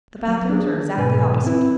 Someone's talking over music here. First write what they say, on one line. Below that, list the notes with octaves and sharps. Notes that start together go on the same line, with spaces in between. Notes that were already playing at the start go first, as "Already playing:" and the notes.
"The bathrooms are exactly opposite."
F#3
D4 G#4
G#2 B2 B4 G#5
C4 E4 B4